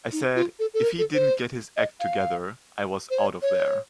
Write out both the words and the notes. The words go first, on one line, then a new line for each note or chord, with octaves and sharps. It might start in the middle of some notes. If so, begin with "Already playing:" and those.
I said if he didn't get his act together, I was out of there.
D#4
F4
A4
A4
A#4
A4
C5
D#5
F5
C5
C#5
C#5